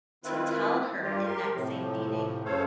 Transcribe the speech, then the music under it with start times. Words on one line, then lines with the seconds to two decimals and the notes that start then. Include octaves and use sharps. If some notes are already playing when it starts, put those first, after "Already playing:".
to tell her in that same meeting,
0.24 D#3 C4 E4 F4 B4
1.02 G2 G3 F4 G4
1.25 G4 A#4 C6
1.54 A2 C3 F3
2.45 F#2 C#3 A4 C5 C#5 F5